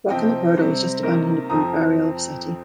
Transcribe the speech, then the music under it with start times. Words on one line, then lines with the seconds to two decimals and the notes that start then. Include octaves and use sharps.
Work on the corridor was just abandoned upon the burial of Seti.
0.10 C3 F3 C4 D#5 G5
0.57 C3 G3 C4
1.03 C3 D#3 A#3 A#4 D#5
1.50 F2 F3 C4 A#5 D#6